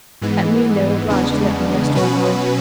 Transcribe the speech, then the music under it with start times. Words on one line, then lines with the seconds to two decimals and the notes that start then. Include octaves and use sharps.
At noon they were obliged to let them rest for an hour.
0.22 G#2 E3 G#3 B3
1.08 E2 C#3 G#3 B3 D4
1.95 B2 F#3 C#4 F#4 B4